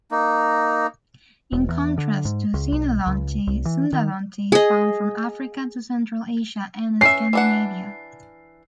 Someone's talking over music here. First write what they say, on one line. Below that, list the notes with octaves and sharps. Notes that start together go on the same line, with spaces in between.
In contrast to sinodonty, sundadonty is found from Africa to Central Asia and Scandinavia.
A#3 D#4
E1
E2
D3
G#2
C#2
B1
C#2
C2
E3
D#3
G#4 D#5
C#4 B4 E5 C7
E3 D4 F#5